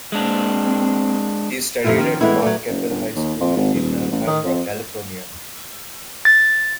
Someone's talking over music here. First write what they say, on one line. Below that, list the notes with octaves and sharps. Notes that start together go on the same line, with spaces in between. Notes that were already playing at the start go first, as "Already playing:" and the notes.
He studied at Mark Keppel High School in Alhambra, California.
G#3 A#3 C4 D4
F#2 F3 G#3 A3 E4 F4
D#3 F3 C#4
E3 G#3 A3 B3 C4 E4
F#3 A3
F#1
G1
D#2
F2
G#1
D#1
A1
D#3
F2
A6